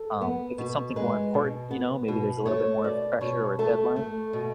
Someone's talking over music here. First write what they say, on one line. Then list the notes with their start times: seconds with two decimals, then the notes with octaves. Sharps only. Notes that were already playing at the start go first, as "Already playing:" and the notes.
Um, If it's something more important, you know, maybe there's a little bit more of pressure or a deadline.
Already playing: A4
0.21 B3
0.58 B2
0.96 G#3 B4
1.34 B2
1.71 B3
2.08 B2
2.46 A3 C#5
2.84 B2 D5
3.21 B2 C#5
3.59 A3 A4
3.96 A3
4.33 B2